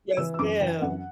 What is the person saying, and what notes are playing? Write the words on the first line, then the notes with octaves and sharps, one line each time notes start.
Yes, ma'am.
E3 E6
E6
F#2 D6
E3 G5
F#2 F#5